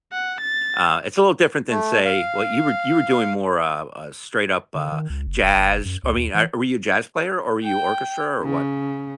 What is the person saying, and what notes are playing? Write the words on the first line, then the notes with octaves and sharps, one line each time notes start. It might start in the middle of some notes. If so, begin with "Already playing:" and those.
Uh, it's a little different than, say well, you were, you were doing more, uh, uh, straight up, uh, jazz. I mean, uh, were you a jazz player, or were you orchestra, or what?
F#5
A6
A3
F5
D3
D#3
C#2
F#1
F1
F#1
F#1
F#2
C#2
D#2
E3
G5
C#3